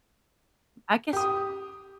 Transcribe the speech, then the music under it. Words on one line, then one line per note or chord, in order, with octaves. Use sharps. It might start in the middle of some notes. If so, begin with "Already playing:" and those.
I guess
G4 D#6